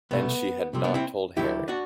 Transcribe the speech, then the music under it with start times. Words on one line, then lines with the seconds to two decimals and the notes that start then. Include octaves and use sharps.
And she had not told Harry!
0.11 C2 B2 A3 B3
0.73 C2 C3 G3 C4
0.84 B3 D4
0.94 C4 E4
1.36 D2 D3 F#3 E4 G4
1.68 D4 F#4